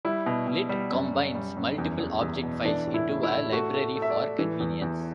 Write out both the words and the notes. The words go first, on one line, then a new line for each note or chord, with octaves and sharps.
Lit combines multiple object files into a library for convenience.
G3 E4
B2
B2
G3
F#2
F#2
G3
F#2
E2
E2
E2
B2
E3 D4
A2
E4
A2
E4
A2
A3 F#4
A3
A3
E5
D5
A3
E3
E2
E2